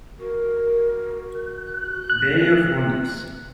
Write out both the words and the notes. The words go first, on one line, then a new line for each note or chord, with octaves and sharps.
Day of wonders!
F#4 A#4
F#6